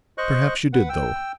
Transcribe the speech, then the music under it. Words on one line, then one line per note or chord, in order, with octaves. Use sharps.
Perhaps you did, though.'
C5 D#5 C#6 F#6
B4 F#5
G5 E6